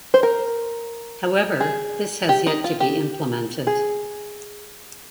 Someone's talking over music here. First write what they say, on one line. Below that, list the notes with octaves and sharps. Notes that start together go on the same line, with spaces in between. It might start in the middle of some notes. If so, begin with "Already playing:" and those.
However, this has yet to be implemented.
C5
A#4
G#4
G4
D#4
F4
G4
G#4